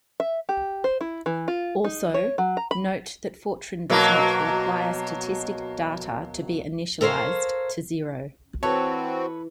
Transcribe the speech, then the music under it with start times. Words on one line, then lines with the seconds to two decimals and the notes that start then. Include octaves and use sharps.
Also, note that Fortran does not require static data to be initialized to zero.
0.20 E5
0.49 G4
0.84 C5
1.01 E4
1.26 E3
1.48 F4
1.84 D#4
2.14 C#5
2.38 F#3
2.57 A#5
2.71 B5
3.90 B2 F#3 A#3
7.01 A4 A#4 C5 C#5 F5
8.63 E3 C4 F#4 A4 B4 C#5